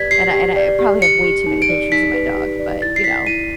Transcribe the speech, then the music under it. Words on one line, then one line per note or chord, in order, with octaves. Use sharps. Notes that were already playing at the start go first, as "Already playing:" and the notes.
and I and I probably have way too many pictures of my dog, but, you know,
Already playing: G4 B4 D5 G#6 B6
G4 C7
G4
D5
G4
G4 C#7
G4
D#4
D7
D5
D#4 B6
B4
G4
D5
E4 A6
C7
E4 B6
E4 D#7